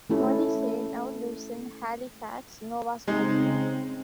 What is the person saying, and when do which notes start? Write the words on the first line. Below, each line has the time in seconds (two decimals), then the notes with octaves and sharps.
Morrissey now lives in Halifax, Nova Scotia.
0.10 A3 C#4 E4 A4
3.08 C#3 G#3 C4 D#4